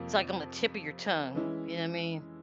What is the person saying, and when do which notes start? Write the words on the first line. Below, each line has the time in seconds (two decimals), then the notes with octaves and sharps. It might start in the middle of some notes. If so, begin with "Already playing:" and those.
it's, like, on the tip of your tongue, you know I mean?
Already playing: F2 C3 F3 A#3
1.35 E3 G#3 C#4 E4